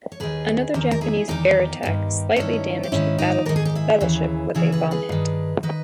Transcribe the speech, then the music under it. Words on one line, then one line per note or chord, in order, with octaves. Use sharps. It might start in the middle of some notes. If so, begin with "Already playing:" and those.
Another Japanese air attack slightly damaged the battleship with a bomb hit.
C#5
D#2 D#3 G#4 B4
E2 D#3 G4 A#4
A#4
E4 G#4
E2 D#3 D#4 G4
G2 D#3
G2 D#3 C#4 E4
G4
G#2 D#3 C#4 E4
D#4 G4
G#2 D#3 A#4
G#4
G4
E4 G#4
D#2 C#3 E3
D#2 C#3 E3 E4 G#4
G#4 B4
G#4 B4
G2 D#3
D#3 B4 D#5